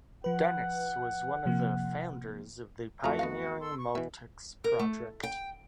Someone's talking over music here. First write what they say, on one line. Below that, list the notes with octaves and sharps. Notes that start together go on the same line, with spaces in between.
Dennis was one of the founders of the pioneering Multics project.
F3 B4 F#5
C3 F3 A#3
F2 G#3 A3 F4 F#4 A#5
B3 D#5 F5
A4 C6 E6
C#6
B2 E3 E5
A#4
A3
G5